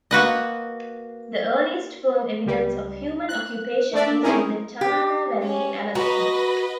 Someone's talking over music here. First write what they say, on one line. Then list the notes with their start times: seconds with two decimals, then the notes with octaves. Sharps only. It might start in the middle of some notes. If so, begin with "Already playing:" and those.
The earliest firm evidence of human occupation is in the Tanana Valley in Alaska.
0.11 A#3 F#4 B4 D#5
2.46 C#2 G3
3.29 F#6
3.93 A3 D4 D5 E5
4.23 C4 C#4 D#4 E4 G#4 A#4
4.81 G4
5.42 C#4
5.95 F#4 B4 D#5 A#5